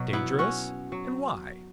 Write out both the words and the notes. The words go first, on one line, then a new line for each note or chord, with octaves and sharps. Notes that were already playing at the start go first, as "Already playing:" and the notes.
"Dangerous!--and why?"
Already playing: B2 F#3
B3 E4
C#4 F#4
F#3